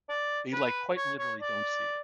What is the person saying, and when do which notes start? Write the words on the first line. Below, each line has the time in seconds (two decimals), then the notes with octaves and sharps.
they like quite literally don't see it.
0.09 D5
0.53 B4
0.97 C#5
1.19 C#5
1.41 D5